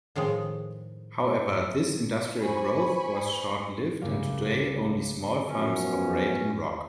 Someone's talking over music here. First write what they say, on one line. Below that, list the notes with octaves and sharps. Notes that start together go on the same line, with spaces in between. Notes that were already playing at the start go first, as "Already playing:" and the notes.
However, this industrial growth was short-lived and today only small firms operate in Roches.
A2 D#3 F3 G#3
C5 G#5 B5 C#6
C#2 G2 A#3 F5
F#2 F3 B3 C#4